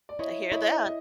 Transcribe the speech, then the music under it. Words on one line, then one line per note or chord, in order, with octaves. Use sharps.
I hear that.
D5
E4 C#5 D#5
E4 C#5 D#5
D#5